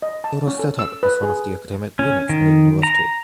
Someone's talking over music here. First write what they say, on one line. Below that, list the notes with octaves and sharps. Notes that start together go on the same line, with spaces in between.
It was set up as one of the academic units in the university.
D#5
A5
C#4
A4
E6
B4
G#4
C#4
D#3
A#5